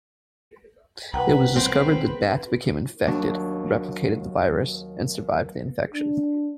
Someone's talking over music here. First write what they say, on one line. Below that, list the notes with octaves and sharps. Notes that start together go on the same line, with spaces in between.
It was discovered that bats became infected, replicated the virus, and survived the infection.
C2 B4 F#5 G5 A#5
C4
D#2 F#3 D4
D4